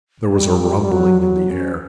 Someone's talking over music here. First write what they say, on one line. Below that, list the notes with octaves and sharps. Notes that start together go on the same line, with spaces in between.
There was a rumbling in the air.
G3
G3
G3
F#3
F#3
C#4